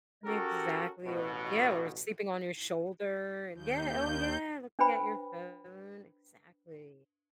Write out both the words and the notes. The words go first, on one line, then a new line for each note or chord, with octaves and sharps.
Exactly, or Yeah, or sleeping on your shoulder, and Yeah, oh yeah, looking at your phone, exactly.
C#4 F#4 G4 A4 A#4
A1 B2
D#2 G6
D4 B4 C5 G5 B5